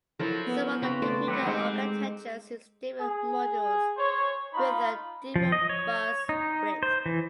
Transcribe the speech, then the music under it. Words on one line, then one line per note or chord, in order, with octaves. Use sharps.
Some other computer architectures use different modules with a different bus width.
F3 F#3 E4 A4 A#4
B3
C#3 C4 F#4 A#5 B5
A3 C5 D5
F#3 G3 G4 F#5
G#3 C4 D#4
G#4
C5 C#5
D#4 F4 B5
F3
D#5
C#5
D#4
C5
E3